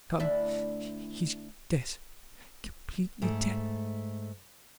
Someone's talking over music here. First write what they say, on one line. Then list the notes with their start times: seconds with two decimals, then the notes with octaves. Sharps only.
Come, he's dead, completely dead.
0.20 D2 D4 E4
3.22 G#2 A3